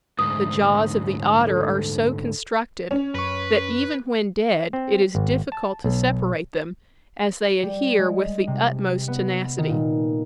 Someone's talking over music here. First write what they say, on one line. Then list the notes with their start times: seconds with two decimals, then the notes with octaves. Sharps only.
The jaws of the otter are so constructed, that even when dead it is difficult to separate them, as they adhere with the utmost tenacity.
0.19 D2 G#2 D#6
1.47 A4
2.91 C#4
3.14 F#2 B4 C#6
4.73 C4
5.15 G#1
5.52 A5
5.84 B1
7.63 G3
7.98 G#3
8.47 C3
9.08 B3
9.58 D#3
9.69 A#2